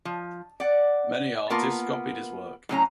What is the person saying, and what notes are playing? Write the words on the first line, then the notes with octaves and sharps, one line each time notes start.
Many artists copied his work.
F3
D5 F#5
A#3 B3 F4 A#4 A5
A2 F#3 C#4 A#5